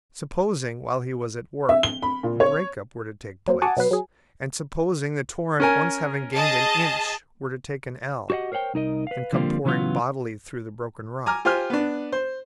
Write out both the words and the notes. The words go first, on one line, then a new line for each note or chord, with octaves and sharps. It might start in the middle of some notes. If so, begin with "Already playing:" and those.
Supposing while he was at work a break-up were to take place, and supposing the torrent once having gained an inch were to take an ell, and come pouring bodily through the broken rock!
E5
G7
B5
A#2
C#5
F#3 A#3 C4
F#4 F#5 G#5 A5 D6 D#6
B2 F#3 B3 B4 C7
F#3 G#4
C#4 A#4 G#5
G#4 D#5 A5
F#4 G4 C#5 D#5 F#5
A#4 C5 C#5 F#5 G5
C2 D#4 A#4 D#5
B4 F5
D3 F3 G3 A#3 C4 F4
C#3 E3 F#3 B3 F4
G#5 A#5 D6 F6
F4 G4 C5 G#5 F6
B3 D4
C5